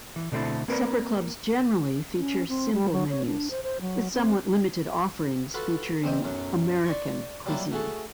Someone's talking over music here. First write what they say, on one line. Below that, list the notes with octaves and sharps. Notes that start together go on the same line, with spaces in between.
Supper clubs generally feature "simple" menus with somewhat limited offerings featuring "American" cuisine.
E3
B2 D3 A3 C4 E4 A4
A#3 C4 A#4 B4 D5 A#5
C#4
C4
G3
F#3
C#5
D4
C5
C5
F#3
C4
F4 F#4 A4 B4
E2 C4 D#5 G5
B1 F#2 F#3
D5 C6 C#6
F#3 G3 A#3 D4 E4 F4
A3 F#4 G#4 A4